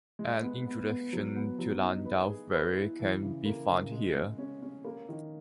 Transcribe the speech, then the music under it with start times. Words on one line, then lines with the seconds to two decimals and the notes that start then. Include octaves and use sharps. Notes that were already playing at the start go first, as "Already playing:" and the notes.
An introduction to Landau theory can be found here.
0.19 G#3
0.43 B3
0.66 B3
0.89 B3
1.13 F#3
1.36 B3
1.59 F#3
1.82 D#4
2.05 B4
2.28 G#4
2.52 B4
2.75 E4
2.99 E3
3.22 C#3
3.45 A#3
3.69 C#3
3.91 G#3
4.15 G#3
4.38 C#4
4.62 C#4
4.85 A#3
5.09 D#3